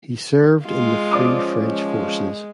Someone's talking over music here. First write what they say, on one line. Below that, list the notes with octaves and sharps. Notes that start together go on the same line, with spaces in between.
He served in the Free French Forces.
G#3 F4
F3 C#4 D5 D6 D#6
G#3